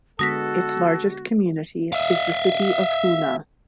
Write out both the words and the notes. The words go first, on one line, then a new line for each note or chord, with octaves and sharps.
Its largest community is the city of Hoonah.
D3 G#3 B3 F#4 A4 D#6 A#6 B6
E5 F5